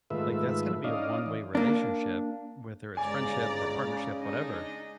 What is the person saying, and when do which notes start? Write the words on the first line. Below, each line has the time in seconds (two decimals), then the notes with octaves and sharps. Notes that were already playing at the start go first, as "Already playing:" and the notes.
like, that's gonna be a one-way relationship, whether it's friendship or partnership, whatever,
0.10 G#2 D#3 A3 F4 B4 E5
0.84 C#4 D#4 D5 D#5 F5
1.26 E3
1.55 A#3 D4
2.97 G1 G#2 C#3 D5 G#5 A#5
4.21 G#3 D4 D#4 D#5